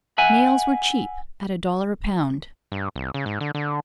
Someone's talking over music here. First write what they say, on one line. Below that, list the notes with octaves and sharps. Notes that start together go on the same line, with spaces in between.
Nails were cheap at a dollar a pound.
E5 F#5 G#5
G2
C2
C#3
G#2
D3
D3